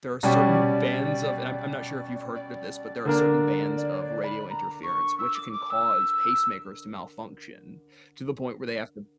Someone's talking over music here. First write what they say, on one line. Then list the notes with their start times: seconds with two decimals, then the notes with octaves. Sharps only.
there are certain bands of and I'm I'm not sure if you've heard of this, but there are certain bands of radio interference which can cause pacemakers to malfunction to the point where they have to
0.23 B2 G3 C#4 G4 D5
2.35 D5
3.05 D3 A#3 D4 A#4
3.77 D5
3.92 C#5
4.00 D5
4.24 B5
4.47 B5
4.51 A#5
4.83 C#6
5.19 E6
5.35 D6
5.53 D6
5.70 E6